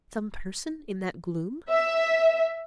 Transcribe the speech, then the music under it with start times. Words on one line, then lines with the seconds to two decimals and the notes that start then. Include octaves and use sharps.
Some person in that gloom?
1.69 E5